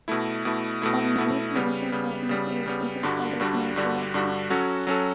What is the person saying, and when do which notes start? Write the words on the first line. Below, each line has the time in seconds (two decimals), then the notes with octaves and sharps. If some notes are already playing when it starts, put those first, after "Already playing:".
On many promotional copies it was simply titled "Melissa Lefton".
0.08 B2 A3 E4
0.45 B2 A3 E4
0.82 B2 A3 E4
1.18 B2 A3 E4
1.55 C#3 G3 B3
1.92 C#3 G3 B3
2.29 C#3 G3 B3
2.66 C#3 G3 B3
3.03 G2 D3 G3 D4 F#4
3.40 G2 D3 G3 D4 F#4
3.76 G2 D3 G3 D4 F#4
4.14 G2 D3 G3 D4 F#4
4.50 F#3 C#4 F#4 A4
4.87 F#3 C#4 F#4 A4